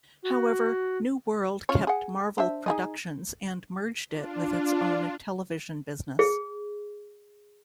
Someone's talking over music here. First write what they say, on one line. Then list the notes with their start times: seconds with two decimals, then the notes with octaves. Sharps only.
However, New World kept Marvel Productions and merged it with its own television business.
0.23 F#4
1.69 C#4 F4 C#5
1.87 G#4 F#5
2.38 D4 C5 E5
2.66 D#4 G#4 D#5
4.09 D4 F4
6.19 G#4